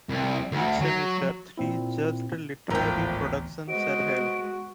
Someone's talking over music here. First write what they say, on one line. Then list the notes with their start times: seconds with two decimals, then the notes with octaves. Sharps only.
Each semester, three judged Literary Productions are held.
0.09 C2
0.52 D2
0.81 F#3
1.58 A#2 C4 E4
2.70 G#1 D2 A2 E3 F3 B3 A#4 G5
3.69 G#3 B3 F#4 C5 D#5 D7